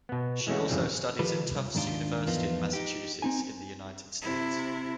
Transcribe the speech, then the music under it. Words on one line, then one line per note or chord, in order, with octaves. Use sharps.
She also studied at Tufts University in Massachusetts in the United States.
B2 B3
E3 G#3 A3 C#4 F#4
F2 G#2 C#3 E3 G3 C4
D#3 F3 F4 G4 A4 B4
C2
D#2 G#2 D#3 D4 F4
E2 F3 B3 D#4 F4
D#4 G4
C4 D#4 G#5
C3 E4